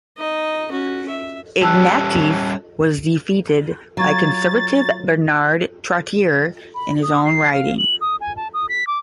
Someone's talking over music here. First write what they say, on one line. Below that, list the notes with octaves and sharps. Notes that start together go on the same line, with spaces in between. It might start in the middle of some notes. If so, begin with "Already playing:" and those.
Ignatieff was defeated by Conservative Bernard Trottier in his own riding.
D#4 D#5
C#4 F#4
E5
G3 C#4 G4 A5 E6 F#6
F#3 F4 A#5 C#6 G#6 A6
B5
D#6
C7
F5
F#7
D#6
G#5
A5
D#6
B6
D6